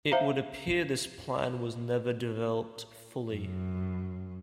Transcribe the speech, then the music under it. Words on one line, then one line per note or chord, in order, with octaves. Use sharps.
It would appear this plan was never developed fully.
C5 E5 F5 A#5
F#2